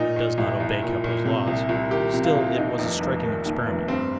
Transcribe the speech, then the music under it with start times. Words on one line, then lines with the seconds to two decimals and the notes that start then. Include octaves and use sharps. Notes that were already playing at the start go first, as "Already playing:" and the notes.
It does not obey Kepler's laws; still it was a striking experiment.
Already playing: A#2 D#4
0.16 A#2
0.38 C2
0.60 C2
0.82 A#2
1.04 A#2
1.26 C3
1.47 C2
1.69 C2
1.91 D#3 G4
2.14 C3
2.24 F4
2.35 C2
2.57 D#2 D#4
2.79 F1
3.01 F1
3.23 D#3
3.45 D#2
3.66 F1
3.88 G2 C4